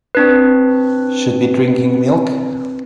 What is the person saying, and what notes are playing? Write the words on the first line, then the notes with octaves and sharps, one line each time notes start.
Should be drinking milk.
C4 D4 B4